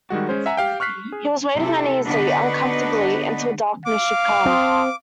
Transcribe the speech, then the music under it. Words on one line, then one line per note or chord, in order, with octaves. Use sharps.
He was waiting uneasily, uncomfortably, until darkness should come.
D#3 G3 G#3 F#4
G#3 C#4 C5
E5 F#5 G#5 A#5
G4 F5 G5
C#6 F6 F#6 B6 C7
G#4
C3 E4 A4
D3 B3 D4 D#4 F#4 B4
F5 D6
C4 A5 C6 D#6